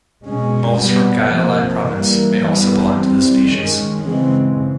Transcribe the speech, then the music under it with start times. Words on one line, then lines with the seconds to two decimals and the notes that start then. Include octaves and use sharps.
Moles from Gia Lai Province may also belong to this species.
0.22 B2 G#3 C#4
0.78 B2 G3 B3
1.32 C3 F3 A#3
1.86 E3 G3 A#3
2.41 E3 G3 B3
2.96 E3 G3 C4
3.50 D#3 G#3 C#4
4.05 C#3 E3 G#3 C4